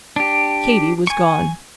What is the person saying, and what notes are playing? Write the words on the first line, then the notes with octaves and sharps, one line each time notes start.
Katy was gone.
D4 G4
G#5 C#6